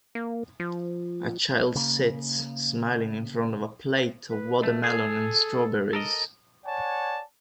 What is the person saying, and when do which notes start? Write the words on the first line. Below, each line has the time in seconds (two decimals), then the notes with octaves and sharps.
A child sits, smiling in front of a plate of watermelon and strawberries.
0.15 A#3
0.60 F3
1.75 C#3 A#3
4.30 B4
4.63 B2 A3
4.84 G#4 A4
5.93 A4 A#4 D#5
6.65 C#5 D5 F#5 G#5 A5